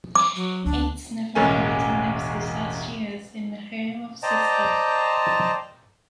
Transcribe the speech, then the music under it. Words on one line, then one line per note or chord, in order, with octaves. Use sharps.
Eights never married and lived his last years in the home of a sister.
D6
F#3
D2 D4
E1 A1 G#3 A#3 C#4 G#5
C5 D5 D#5 G5 A5 A#5